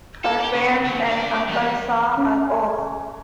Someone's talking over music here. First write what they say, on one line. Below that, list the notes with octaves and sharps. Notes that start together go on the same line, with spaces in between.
Her parents and uncle saw her off.
A4
G4 D5
C#3
A#2 D3
G2 D5
E2 G3
C#4
G#5